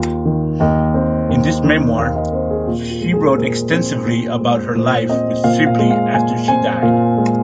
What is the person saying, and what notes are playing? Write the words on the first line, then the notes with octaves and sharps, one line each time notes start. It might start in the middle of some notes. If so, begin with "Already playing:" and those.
In this memoir she wrote extensively about her life with Sibley after she died.
Already playing: D#2 F4
D#3
D#2 D#5
C4
D#2
D#3
D#2 F5
D#5
C4 C5
G#4
A#2 F4
F4
G#3
G#4
C5
A#2 A#4
C4
A#2 C5
G#3
A#2 C5
C4 D#5
A#2 F5
F5
G#3
F5
A#2 G#5
C4 G#5
A#2 F5
G#3